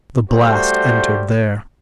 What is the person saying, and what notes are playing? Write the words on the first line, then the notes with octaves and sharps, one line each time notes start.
The blast entered there.
G3 A3 F#4 C5